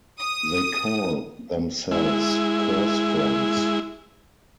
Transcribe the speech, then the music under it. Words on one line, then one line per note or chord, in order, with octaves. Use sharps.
They call themselves Curse Friends.
D#6
G#3 E4